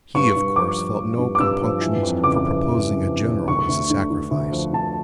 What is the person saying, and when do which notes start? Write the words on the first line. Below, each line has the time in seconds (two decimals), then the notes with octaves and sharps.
He of course felt no compunctions for proposing a general as a sacrifice.
0.15 G2 C#6
0.36 G2
0.56 F3 D6
0.78 F3
0.98 F3
1.19 G2
1.35 D6
1.39 G2 E6
1.61 F3
1.81 E3
2.03 F2
2.24 C#3 D6
2.45 F2
2.65 F2
2.86 C#3
3.06 F2
3.27 F2
3.48 D2 C#6
3.69 D2
3.90 D3
4.11 D3
4.31 D2
4.52 F3
4.73 D2 A5